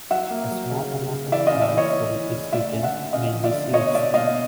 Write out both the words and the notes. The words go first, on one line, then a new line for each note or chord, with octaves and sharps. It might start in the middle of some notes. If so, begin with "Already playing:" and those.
A small amount of plant food is eaten, mainly seeds.
F#3 E5 F#5
A#3
F#3
C#3
C#3
C#3
E3 D5 E5
C#4 D#5 F5
D5 E5
E3
C#5 D#5
E3
E3
C#3
A3 D5 E5
C#4
E5 F#5
D3
C#4 D#5 F5
F3
D5 E5
D3
B2 C#5 D#5
B2 D5 E5
B2 D#5 F5